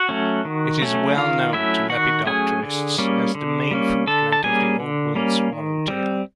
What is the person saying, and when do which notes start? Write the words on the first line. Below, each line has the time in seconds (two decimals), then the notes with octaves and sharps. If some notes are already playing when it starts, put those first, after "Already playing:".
It is well-known to lepidopterists as the main foodplant of the Old World swallowtail.
Already playing: F#4 F#5
0.09 F#3 A3 C#4
0.45 D#3
0.82 F#3 A3 C#4
1.17 D#3 F4 F5
1.53 F#3 A3 C#4 E4 E5
1.89 D#3 F#4 F#5
2.26 F#3 A3 C#4 G#4 G#5
2.63 D3
2.98 G3 A#3 C#4
3.35 D3
3.71 G3 A#3 C#4
4.07 D3 A4 A5
4.32 A5
4.44 G3 A#3 C#4 G#4 G#5
4.80 D3
5.15 G3 A#3 C#4
5.52 D#3
5.88 G3 C4